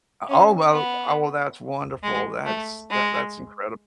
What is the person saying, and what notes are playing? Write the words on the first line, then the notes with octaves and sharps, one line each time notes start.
Uh, oh, well oh, well that's wonderful. That's that that's incredible.
C#4
B3
G#3
A3
G#3